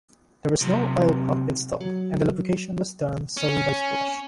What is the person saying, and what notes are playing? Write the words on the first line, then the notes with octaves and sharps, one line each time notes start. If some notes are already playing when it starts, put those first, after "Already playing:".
There was no oil pump installed and the lubrication was done solely by splash.
F#2 C3
F#3
C#4